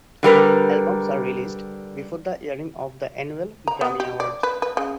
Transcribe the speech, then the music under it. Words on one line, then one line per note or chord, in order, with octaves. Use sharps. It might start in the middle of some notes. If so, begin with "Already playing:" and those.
Albums are released before the airing of the annual Grammy Awards.
D3 G3 A#4 B4
A#5
B3
G4
D5
B4
B4
C#3